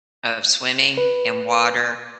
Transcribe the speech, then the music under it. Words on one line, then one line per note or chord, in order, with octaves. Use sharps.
of swimming in water
B4